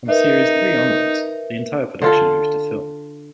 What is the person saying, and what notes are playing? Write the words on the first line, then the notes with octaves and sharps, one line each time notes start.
From series three onwards, the entire production moved to film.
D#4 A#4 B4 E5
D3 F4 A4